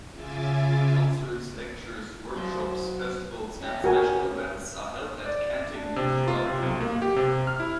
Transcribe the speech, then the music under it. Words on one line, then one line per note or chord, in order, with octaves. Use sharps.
Concerts, lectures, workshops, festivals and special events are held at Cantigny throughout the year.
C#3 F4 E5 G#5 D6 A6
F#3 C5
C#4 G4
F#4 A#4 G#5
D5
D4
C3
F4
C3
B1
A#3
G4
C3
F6
E4